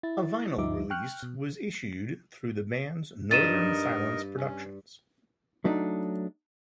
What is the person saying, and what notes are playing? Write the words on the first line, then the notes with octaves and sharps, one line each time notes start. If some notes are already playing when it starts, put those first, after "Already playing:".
A vinyl released was issued through the band's Northern Silence Productions.
E4 A6
D2 G2 F3 D#4 E5 D6
G5 C#6 F6 F#6
B2
G2 D#4 A#4 D#5 A6 D#7 E7
C#4
F#3 A3 D4 D#4